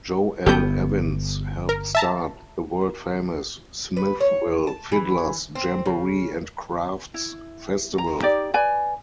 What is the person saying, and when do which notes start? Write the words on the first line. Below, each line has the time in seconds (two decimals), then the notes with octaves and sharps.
Joe L. Evins helped start the world famous Smithville Fiddler's Jamboree and Crafts Festival.
0.46 G1 B3 G4 A4 G6
1.69 A#4
1.95 E5 A5 A#5
3.97 B4
4.21 C#5
4.67 A5
4.92 E3
5.55 C4
5.86 C#3
7.14 E4
7.98 A#5
8.21 D#4 G4 D5
8.54 B4 D5 G#5